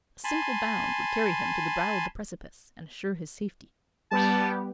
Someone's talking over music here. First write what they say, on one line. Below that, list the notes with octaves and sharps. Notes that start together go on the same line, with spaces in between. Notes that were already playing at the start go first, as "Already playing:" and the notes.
A single bound would carry him to the brow of the precipice, and assure his safety.
G#5 A5 B5 C6
G3 B3 G4 A5